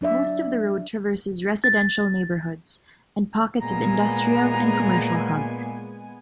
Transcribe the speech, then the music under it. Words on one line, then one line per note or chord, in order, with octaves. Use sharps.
Most of the road traverses residential neighbourhoods and pockets of industrial and commercial hubs.
F#3 D4 D5 E5
A6
A#2 G#3 B3 G#5 A#5